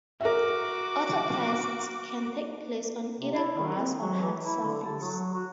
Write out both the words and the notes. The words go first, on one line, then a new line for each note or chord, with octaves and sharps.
Autotests can take place on either grass or hard surface.
F#4 A#4 E5 D6
C3
E4
D#3
C4
F#3
E3
E4
D3
A4
F#3
F#4